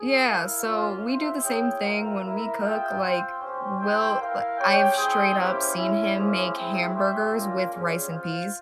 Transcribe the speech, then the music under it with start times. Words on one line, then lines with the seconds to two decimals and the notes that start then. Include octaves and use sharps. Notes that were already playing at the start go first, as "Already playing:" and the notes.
Yeah, so we do the same thing when we cook, like, we'll l I've straight up seen him make hamburgers with rice and peas.
Already playing: G#4
0.24 E4 A#4 F5
0.64 A#3 C#4 F4
1.03 C4 F4 C5 E5
1.42 E4 G#4 C#5 G5
1.82 C4 F4 A#4 E5
2.21 A#3 E4 A#4 E5
2.60 F4 G#4 E5 G5
3.00 C4 F4 C5 G5
3.39 C#4 G4 C5
3.78 E4 G4 C5 G5
4.18 E4 A#4 F5
4.57 G#3 C#4 G4 C#5 G5
4.96 E4 G#4 C5 G5
5.36 A#3 C#4 E4 G4 C5
5.75 G#3 C#4 E4
6.15 A#3 C#4 E4 G#4 C5
6.53 G#3 C4 E4 G#4
6.93 C#4 G4 C5 E5
7.32 G3 A#3 C#4 F4
7.72 G3 C#4 F4 G#4
8.12 F4 C5 F5